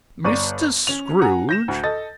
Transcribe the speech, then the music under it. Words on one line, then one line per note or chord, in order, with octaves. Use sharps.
"Mr. Scrooge?"
G1 D5 C#6 D#7
C#4 F7
F#5 G#5 A#5
G6 A#6 E7
D2
A4 D#5 A6